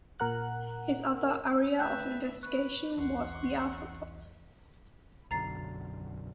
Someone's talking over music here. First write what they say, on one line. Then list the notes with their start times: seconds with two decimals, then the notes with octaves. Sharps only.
His other area of investigation was the arthropods.
0.20 A#2 A#4 F#5 F#6
1.79 D2 B4 E5 G5 F#6 G6
2.43 B4 C#6 F#6
2.97 B1 E2 E3 F#5 C6 C#6
5.31 B1 F#2 D3 A#5 A6 C7